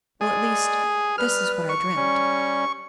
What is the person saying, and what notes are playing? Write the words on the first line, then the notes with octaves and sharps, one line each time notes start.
Well, at least, this is what I dreamt.
G#3 G#4 D5
G3 B4 F6
C#6
G3 C#4